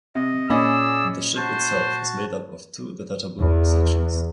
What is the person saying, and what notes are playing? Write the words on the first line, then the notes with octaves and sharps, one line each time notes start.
The ship itself is made up of two detachable sections.
C3 D#5
A#2 C#4 G#4 D5 D#5 B5 E6
F#4 C5 A5
E2